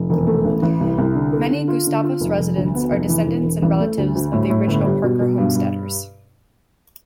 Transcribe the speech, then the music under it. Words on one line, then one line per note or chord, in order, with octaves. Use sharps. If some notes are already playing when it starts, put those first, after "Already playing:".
Many Gustavus residents are descendants and relatives of the original Parker homesteaders.
Already playing: F1
E1
A3
A1
A1
C2
C2
D3
A4
D3
F4
D3
F4
F1
F1
D2
B3
F1
E3
E1
E1
A1
A3
D2
D2
A2
A2
G1
G3
B2
B2
G2
G2